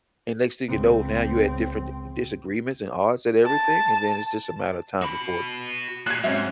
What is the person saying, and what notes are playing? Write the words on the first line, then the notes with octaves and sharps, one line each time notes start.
and next thing you know, now you had different disagreements and odds and everything, and then it's just a matter of time before the
C#2 C4
A5
F#4 B5
A#2 F#6 G#6
G#2 F#3 C4 C#4 E5